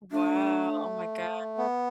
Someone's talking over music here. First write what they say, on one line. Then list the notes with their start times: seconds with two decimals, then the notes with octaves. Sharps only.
Wow, oh my gosh.
0.12 A3 D4
1.58 B3